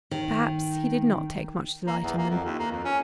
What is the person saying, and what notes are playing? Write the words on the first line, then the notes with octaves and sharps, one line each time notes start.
Perhaps he did not take much delight in them.
D#3
A#3
E2
A#3
F2
D#2
A#3
F2
C#4